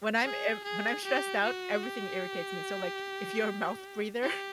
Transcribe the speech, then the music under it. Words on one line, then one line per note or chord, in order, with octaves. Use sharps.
When I'm in when I'm stressed out, everything irritates me, so like, if you're a mouth breather,
G#4
G#4
G4
F#4
G4
G4